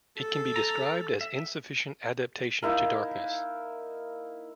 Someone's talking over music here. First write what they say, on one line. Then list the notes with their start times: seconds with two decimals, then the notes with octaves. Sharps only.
It can be described as insufficient adaptation to darkness.
0.18 A4
0.56 A#5
1.21 E5
2.62 A#3 D#4 E4 A#4